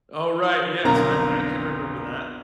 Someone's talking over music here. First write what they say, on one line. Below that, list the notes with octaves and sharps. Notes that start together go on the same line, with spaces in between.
Oh, right, yes, I I can remember that.
B1 F2 D3 A#4 A#5